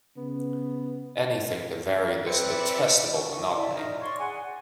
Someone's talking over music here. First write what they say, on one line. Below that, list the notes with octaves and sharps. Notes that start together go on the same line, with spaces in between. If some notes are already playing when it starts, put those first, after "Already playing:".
Anything to vary this detestable monotony.
C#3 B3
C4 B4 D5 E5 C#7
C#6
E4 D5 E5
D#4 A#4
C#5 D5 C6 C#6
G#4 F#5 G#5
G#5